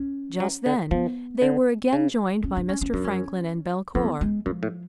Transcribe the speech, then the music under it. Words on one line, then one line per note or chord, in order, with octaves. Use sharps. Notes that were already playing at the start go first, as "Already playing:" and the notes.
Just then they were again joined by Mr. Franklin and Belcour.
Already playing: C#4
F#3
D3
F3 B3
D3
C#3
C#4
D4
C#4
C#4
F#2 D4
C#4
F2 B3
G#3
F#2 F3
A2